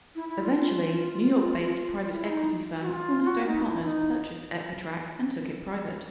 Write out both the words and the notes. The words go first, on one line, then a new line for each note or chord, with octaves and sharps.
Eventually, New York-based private equity firm Cornerstone Partners purchased Equitrac and took it private.
E4
E4
F4
F4
E4
D#4
F#4
F4
F#4
D#4
E4
D#4